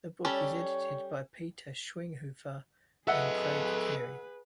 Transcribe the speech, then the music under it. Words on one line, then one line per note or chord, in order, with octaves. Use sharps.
The book is edited by Peter Schweighofer and Craig Carey.
G3 C#4 A4 C#5
G#4 A4 B4 D#5 E5 F#5